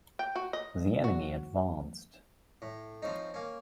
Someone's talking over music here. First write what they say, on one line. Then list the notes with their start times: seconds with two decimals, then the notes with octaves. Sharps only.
The enemy advanced.
0.19 G5
0.35 F#4
0.53 D#5
1.04 F#4
2.62 A2
3.02 F3 C4 C#4 D#4
3.34 A#3 C#4